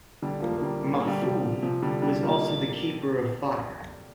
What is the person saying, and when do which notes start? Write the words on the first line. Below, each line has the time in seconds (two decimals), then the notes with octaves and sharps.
Mafui'e was also the keeper of fire.
0.22 D3 G3
0.42 F3 A#3
0.57 A#3
0.62 D3 G3
0.83 G3
0.94 A#3
1.06 D3 G3
1.22 C3 F3
1.62 C3 F3
1.82 D3 G3
2.02 D3 G3
2.23 F3 A#3